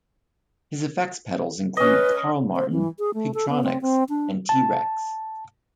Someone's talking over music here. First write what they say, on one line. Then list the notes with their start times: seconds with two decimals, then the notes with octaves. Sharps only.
His effects pedals include Carl Martin, Pigtronix and T-Rex.
1.77 C#4 B4 D#5
2.56 C5
2.70 E3
2.99 G#4
3.14 A3
3.34 A4
3.49 B3
3.64 C4
3.82 C4
4.09 D4
4.49 A5